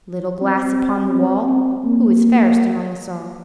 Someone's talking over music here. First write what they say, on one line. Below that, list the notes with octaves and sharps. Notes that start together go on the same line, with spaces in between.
"Little glass upon the wall, Who is fairest among us all?"
C4
C4
C4
A#3